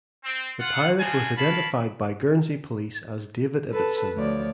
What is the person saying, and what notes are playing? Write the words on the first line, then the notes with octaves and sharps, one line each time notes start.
The pilot was identified by Guernsey Police as David Ibbotson.
C4
F4 F#5
B3 D4 D#4 F4 F#4 G#5
A#4 C#5 F5 A5 B5
A4 B4 A5
D2 F3 C#5 D5